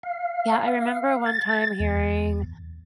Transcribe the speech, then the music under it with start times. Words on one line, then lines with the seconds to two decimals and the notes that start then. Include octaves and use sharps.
Yeah, I remember one time hearing,
0.03 F5
1.26 A6
1.80 E2